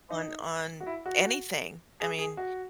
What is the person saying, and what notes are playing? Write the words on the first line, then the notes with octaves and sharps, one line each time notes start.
on on anything, I mean,
D#4
F#4
E4
F#4
G#4
G#4
F#4